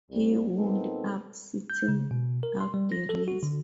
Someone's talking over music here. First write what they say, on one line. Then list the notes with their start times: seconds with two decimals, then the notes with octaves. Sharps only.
He wound up sitting out the race.
0.11 C2
0.56 A#2 B3 C4 D#4 A4
1.70 G6
1.88 C#3
2.11 B2
2.43 A#4
2.61 C6
2.74 G3
2.92 A#6
3.09 A4
3.28 F#4
3.43 D3